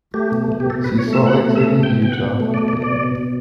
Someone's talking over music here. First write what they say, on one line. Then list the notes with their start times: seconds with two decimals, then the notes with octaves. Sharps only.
See Salt Lake City, Utah.
0.14 A3 G4
0.32 B2
0.52 B2
0.60 G4
0.70 B2 A4
0.84 B4
0.89 B2
0.98 C#5
1.07 A3
1.13 E5
1.26 B2 F#5
1.45 A3
1.56 E5
1.64 B2
1.83 B2 G5
2.02 B2 G5
2.12 F#5
2.22 B2
2.40 A3
2.54 D5
2.58 B2
2.68 D5
2.77 B2
2.82 D5
2.96 B2
3.15 B2